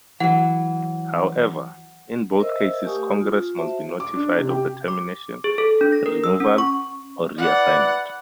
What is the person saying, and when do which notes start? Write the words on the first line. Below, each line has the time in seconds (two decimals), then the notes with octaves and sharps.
However, in both cases Congress must be notified of the termination, removal, or reassignment.
0.20 E3 F#3 F#5
2.40 A#4 C5 D#5 E5 E6
2.84 A3 G4 F5 G#5 C#6 D#6
3.21 F4
3.57 F#4 C5 E5 A5
4.00 D6
4.16 D4
4.38 C3
4.50 G4
4.88 D6
5.44 G#4
5.58 A4
5.81 D4
5.92 A#6
6.06 A#4
6.24 E6
6.40 C#4
6.58 C#6
7.38 E4 B4 D5 F#5